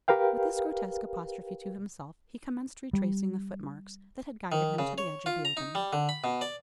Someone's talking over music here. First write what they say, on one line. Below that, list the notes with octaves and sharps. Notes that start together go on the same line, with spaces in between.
With this grotesque apostrophe to himself, he commenced retracing the footmarks that had guided him to the edge of the opening.
G4 A#4 B4 F5 G5
G3
D#3
C#3
C#5
F4
A#5
D#4
G3
D3
B5
B2
D5